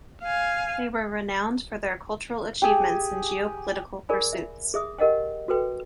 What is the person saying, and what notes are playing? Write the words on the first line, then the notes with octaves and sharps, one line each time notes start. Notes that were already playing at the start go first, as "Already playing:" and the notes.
They were renowned for their cultural achievements and geopolitical pursuits.
F5 G#5
G4 G#4
G#4 A#4 D5 G#5 B5
E5
G#4 E5 D#6
G4 A#4 D#5 F#5 G5
F#4 A4 B4 G5